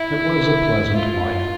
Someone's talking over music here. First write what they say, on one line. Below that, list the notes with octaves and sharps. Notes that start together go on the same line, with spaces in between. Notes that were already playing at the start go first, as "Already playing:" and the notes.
It was a pleasant life.
Already playing: E4
F4